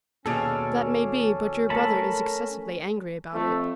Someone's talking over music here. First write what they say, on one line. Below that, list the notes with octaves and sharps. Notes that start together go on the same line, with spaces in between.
"That may be, but your brother is excessively angry about it."
D#2 B2 C#4 G#4 A4 D5 F5
A3 A#4 A5 B5
F2 A3